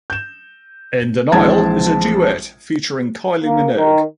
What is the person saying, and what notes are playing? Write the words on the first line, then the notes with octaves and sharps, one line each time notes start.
"In Denial" is a duet featuring Kylie Minogue.
G6 E7
A#1 E3 G#3 C4 A5 G#6
A#3
D#3